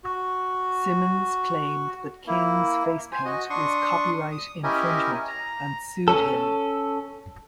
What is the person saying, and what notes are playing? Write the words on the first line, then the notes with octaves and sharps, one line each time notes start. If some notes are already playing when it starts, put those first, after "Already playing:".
Simmons claimed that King's face paint was copyright infringement and sued him.
F#4
A#3 E4
C5 G#5
F#4 D#5
D4 C6 C#6 D#6
D#6
C#4 E4 G4 A#4 D#5 G#5
A#5
C#4 A4